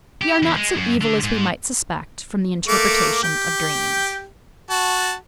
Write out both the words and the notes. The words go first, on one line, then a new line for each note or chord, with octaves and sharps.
We are not so evil as we might suspect from the interpretation of dreams.
G4
E2
G#3
F#2
D3
G#2
A3 A#3 D6
G4 G5
F#4 A5